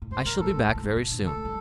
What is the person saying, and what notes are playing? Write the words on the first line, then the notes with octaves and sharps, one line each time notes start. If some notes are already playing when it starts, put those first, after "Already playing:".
I shall be back very soon.'
A2
G2 C5
C3 A#4
A2 A4
G2
A2
A#2
A2
A#2
A#2
D3
A4
A3
G3